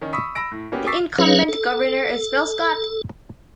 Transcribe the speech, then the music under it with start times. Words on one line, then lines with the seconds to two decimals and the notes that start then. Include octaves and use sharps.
The incumbent governor is Phil Scott.
0.01 D#3 C#4
0.13 B5 C#6 D#6 E6 B6
0.35 B5 E6 A#6 D7
0.52 A2
0.72 A#3 B3 C#4 F#4 G4
0.87 C#6 D6 E6 A6 B6 C7
1.18 F#3 C#4 G#4 B4 C#5 F5
1.49 A4